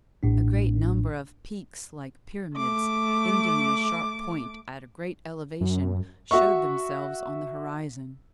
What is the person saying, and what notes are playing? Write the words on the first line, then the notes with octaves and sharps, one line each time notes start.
A great number of peaks, like pyramids, ending in a sharp point at a great elevation, showed themselves on the horizon.
A1 A2 D4
A3 D6
F#2
F#4 E5 C#6